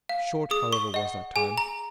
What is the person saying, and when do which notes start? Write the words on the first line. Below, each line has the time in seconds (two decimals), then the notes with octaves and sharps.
Short, however, was that time.
0.09 F5
0.51 G#4 D#6
0.73 C#6
0.94 D#5 F#5
1.36 G#4 G#5
1.58 A#5